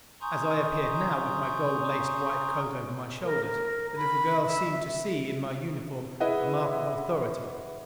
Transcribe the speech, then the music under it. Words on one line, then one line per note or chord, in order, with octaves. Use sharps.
As I appeared now, with my gold laced white coat over my shoulders, the little girl seemed to see in my uniform a mark of authority.
G#5 A#5 C6 C#6 D#6 G6
A#4
A#4
B5
E5
E4 G#4 B4 D#5 E5 F#5